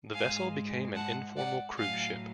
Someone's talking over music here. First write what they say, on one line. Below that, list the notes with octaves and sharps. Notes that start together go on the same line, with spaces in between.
The vessel became an informal cruise ship.
G#2 G#3 F5 G#5
F#5 A5
D5 F#5
A2 F#3 F5 G#5